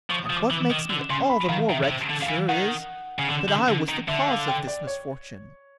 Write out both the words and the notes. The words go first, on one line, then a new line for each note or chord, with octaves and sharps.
"And what makes me all the more wretched, sir, is, that I was the cause of this misfortune."
F3 C#6
F3 D#6
D6
E3
D#3
D3
C#3 C6
B5
D#3 F5
D#3 E5
C#3
C3
D3
F5
E3
D#3 F#5
C#3
D3
D3
D3
D#3
D3 E5
F5
G5
D5
C#5